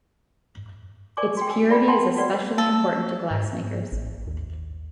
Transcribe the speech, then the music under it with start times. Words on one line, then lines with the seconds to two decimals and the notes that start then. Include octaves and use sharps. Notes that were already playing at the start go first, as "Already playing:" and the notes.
Its purity is especially important to glassmakers.
1.17 A#4 D5 G#5 C#6 D6
1.37 F#4 G5
1.50 G#5 E6
1.69 E4 D5 B5
1.88 F#5 G5 A5 C6
2.17 F#4 B4 D5 F#5
2.58 A4
3.31 G#2
3.92 A1
4.27 D#2